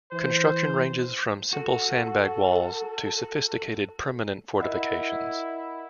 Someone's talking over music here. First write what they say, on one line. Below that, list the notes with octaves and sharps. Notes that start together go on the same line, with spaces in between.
Construction ranges from simple sandbag walls to sophisticated, permanent fortifications.
E3 C5
F#4 A4
E4 A#4 D#5 F#5